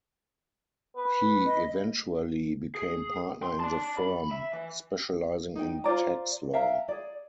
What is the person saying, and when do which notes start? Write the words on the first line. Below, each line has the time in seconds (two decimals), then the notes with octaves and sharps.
He eventually became partner in the firm, specializing in tax law.
0.96 B4
1.46 D#5
2.75 G#4
3.43 C6
3.60 D5 A5
3.97 B5
4.31 E5
4.53 E3
5.56 D#4 G5
5.84 F4 C5 D5 A#5
6.53 E5 F5 G5 A#5
6.88 G#4 D5